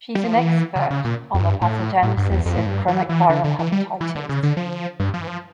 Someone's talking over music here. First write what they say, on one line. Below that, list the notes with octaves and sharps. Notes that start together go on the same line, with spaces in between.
She is an expert on the pathogenesis of chronic viral hepatitis.
G3
F3
E3
C#3
C#3
A#2
F2
G2
A2
A2
G2
E2
F2
A2
G2
E3
E3
D3
D3
E3
G3
E3
D3
C#3
D3
F3
G2
F3
E3
F3